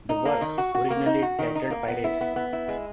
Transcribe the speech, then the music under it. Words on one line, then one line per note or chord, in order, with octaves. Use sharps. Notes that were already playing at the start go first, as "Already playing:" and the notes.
The work, originally titled Pirates!
D#4
A#3
D#3
F#4
F#4
A#3
D#4
F#4
D#3
D#4
A#3
B3
E4
B3
B3
E4
G#3